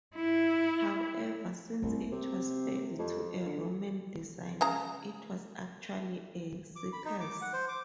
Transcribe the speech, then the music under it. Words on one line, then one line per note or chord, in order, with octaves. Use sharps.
However, since it was built to a Roman design, it was actually a circus.
E4
C2 A3
C3
F2
D3
C#3 G#3 A#5
D6
B5
D#4
D6
F#5
C5
D6